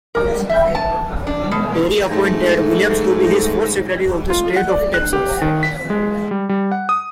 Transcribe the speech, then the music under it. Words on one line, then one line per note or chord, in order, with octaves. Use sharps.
Perry appointed Williams to be his fourth Secretary of State of Texas.
A#4
E5
A5
D4
B2
G#2 A3
F4
F#5
D5
F#6
G4
D#3
B6
G#3
G3
G3
F#5
D#6